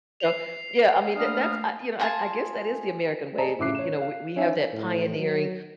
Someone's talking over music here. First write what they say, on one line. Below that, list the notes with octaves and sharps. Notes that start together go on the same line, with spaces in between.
so Yeah, I mean, th that's I you know, I I guess that is the American way, we you know, we we have that pioneering
C7 F7
A3 A#3 D4 B4 F5 D#6 F6
F4 G#4 A5
G#4 C5 D5 D#5 A5 A#5
A2 C#3 E5 D6 F#6 C7
C#5 E7
F5
C#4 D#4 E4 E5 G#5
A2
F#3